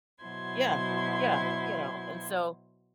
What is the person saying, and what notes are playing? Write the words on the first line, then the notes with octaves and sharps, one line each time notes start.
Yeah, yeah, you know? And so,
B2 F#3 E4 C5 C6 G#6